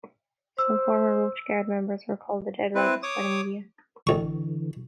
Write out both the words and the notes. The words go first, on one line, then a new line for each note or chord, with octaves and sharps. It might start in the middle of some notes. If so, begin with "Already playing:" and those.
Some former Roach Guard members were called the Dead Rabbits by the media.
C5 E6
C4 E4 B4
C#5 D6 D#6
A1 D3 E3 C#6